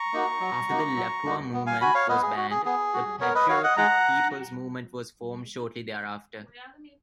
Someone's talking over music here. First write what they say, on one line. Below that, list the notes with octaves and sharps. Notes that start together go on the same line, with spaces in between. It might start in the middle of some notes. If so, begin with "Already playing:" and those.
After the Lapua Movement was banned, the Patriotic People's Movement was formed shortly thereafter.
Already playing: A#5 C#6
A#3 D#4 F#4
F#3
A#3 D#4 F#4
F#3
A#3 D#4 F#4
B3
F5 G#5
F#4 G#5 B5
C#5 F5
B3 B4 D#5
G#4
F#4
G#4
B3 G#4
F#4
B3 A#4 C#5
B4 D#5
F#4 C#5 F5
D#5 F#5
G#3 F#5 A#5